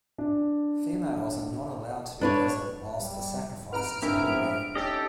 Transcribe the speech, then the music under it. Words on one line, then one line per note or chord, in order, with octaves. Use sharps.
Females are not allowed to be present whilst the sacrifice is underway.
D4
D4 B4 C#5
G3
B4 A#5 F6 D7
G2 C#3 A#3 C4 D4 E4 A#4
F3 G#3 B3
C#4 D#4 G4 A4 D#5